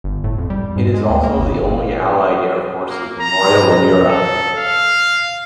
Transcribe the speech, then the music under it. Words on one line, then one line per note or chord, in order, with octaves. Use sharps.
It is also the only Allied Air Forces Memorial in Europe.
G1
A2
F2
G3
G#2
G#3
D2
A#3
G1
A#3
A#5
A4
F5